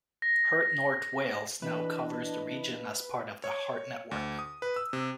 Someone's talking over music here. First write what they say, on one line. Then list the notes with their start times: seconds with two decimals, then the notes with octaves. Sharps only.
Heart North Wales now covers the region as part of the Heart Network.
0.22 A#6
1.62 E3 D4 B4 D#5
3.44 C#5
4.11 D2
4.39 D#6
4.62 B4
4.76 E6
4.93 C3